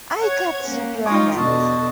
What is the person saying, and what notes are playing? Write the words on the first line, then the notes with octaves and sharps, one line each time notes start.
Aikatsu Planet!
C#5 F#5 G#6
A#3 C#4
G#3 D#4 F4 C#5 D6 D#6
E2 B2 D3 F#4 D#5 A5